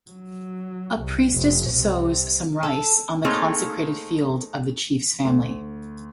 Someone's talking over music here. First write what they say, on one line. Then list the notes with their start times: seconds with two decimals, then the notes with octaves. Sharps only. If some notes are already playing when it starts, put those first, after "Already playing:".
A priestess sows some rice on the consecrated field of the chief's family.
0.11 F#3
0.98 C2
1.31 F1
1.71 C2 C3
2.63 A4
3.24 A3 A#3 C4 D#4 G#4 C#5
5.25 D2